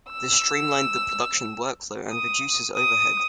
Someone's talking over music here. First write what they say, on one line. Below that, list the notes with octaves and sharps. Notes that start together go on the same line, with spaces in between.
This streamlined the production workflow and reduces overhead.
E6
D#6
D#6